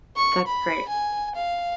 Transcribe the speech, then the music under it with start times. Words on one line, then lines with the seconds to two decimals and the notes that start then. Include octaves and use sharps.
That's great.
0.17 C#6
0.47 B5
0.89 G#5
1.35 F5